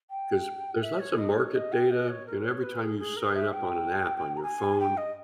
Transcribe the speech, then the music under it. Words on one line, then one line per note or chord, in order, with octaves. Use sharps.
'cause there's lots of market data and every time you sign up on an app on your phone,
G5
E5
C#5
D#5
C#5
D#5
G5
D#5
C#5
A#4
C#5
B4
G#4
G#4
A#4
E5
G5
A#5
G#5
G5
D#5